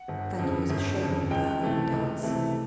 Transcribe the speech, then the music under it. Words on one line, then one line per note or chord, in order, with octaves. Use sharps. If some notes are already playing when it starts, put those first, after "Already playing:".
Fanny was ashamed of her own doubts.
Already playing: F#5
G1
F2 C#3
G1
F2 C#3
C#2 G5
C3 E3 A3
C#2
C3 E3 A3